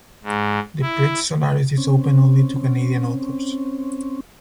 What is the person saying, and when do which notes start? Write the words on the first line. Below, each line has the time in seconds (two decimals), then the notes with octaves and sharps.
The Prix Solaris is open only to Canadian authors.
0.24 G#2
0.82 E4
1.78 C4 C#4